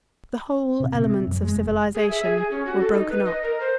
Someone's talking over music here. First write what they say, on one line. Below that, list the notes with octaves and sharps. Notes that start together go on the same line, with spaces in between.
The whole elements of civilization were broken up.
C3
C3
F#2
G#3
F1
G#4
E5
G#4
G#4
C#4
F#4
A4
D#4
B4
D#5
A#4
C5